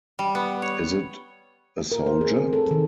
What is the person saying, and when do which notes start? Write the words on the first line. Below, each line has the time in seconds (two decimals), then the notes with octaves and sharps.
Is it a soldier?
0.19 G3
0.35 B3
0.62 C#5
1.92 A#4
2.06 C5
2.21 G#4
2.36 C4
2.53 A4
2.71 D#3